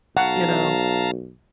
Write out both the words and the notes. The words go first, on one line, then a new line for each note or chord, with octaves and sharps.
You know?
B1 F5 F#5 A5 A#5